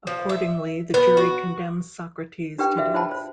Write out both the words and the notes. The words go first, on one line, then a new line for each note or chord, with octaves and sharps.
Accordingly, the jury condemns Socrates to death.
F3
E5
B3
F#4
D4 G4 B4 G5
F#4 G#4 B4 E5 F5
F4 C5 G5 A5 B5
C5